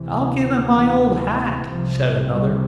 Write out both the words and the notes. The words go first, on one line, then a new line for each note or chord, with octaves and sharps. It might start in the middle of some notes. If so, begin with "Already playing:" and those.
"I'll give him my old hat," said another.
Already playing: D2 C3 E3
E3
C2 C3 F3
G3